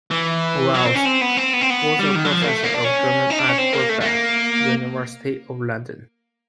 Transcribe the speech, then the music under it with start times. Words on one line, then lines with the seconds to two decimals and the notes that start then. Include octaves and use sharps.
Wells, was a Professor of German at Birkbeck, University of London.
0.11 E3
0.74 F#3
0.85 C4
0.95 C#4
1.05 C4
1.21 B3
1.37 C4
1.53 B3
1.61 C4
1.70 B3
2.00 G3
2.16 D#3
2.25 F#3
2.32 F3
2.42 A#3
2.48 A3
2.63 A#3
2.74 D4
2.84 C#4
3.30 D#4
3.39 D4
3.48 C#4
3.58 C4
3.73 A#3
3.89 A3
4.01 A3
4.05 A#3